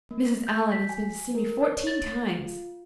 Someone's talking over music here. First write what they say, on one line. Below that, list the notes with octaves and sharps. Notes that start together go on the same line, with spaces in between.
Mrs. Allan has been to see me fourteen times.
A#3
G6
B6
G#5
A#4
C#5
A6
F4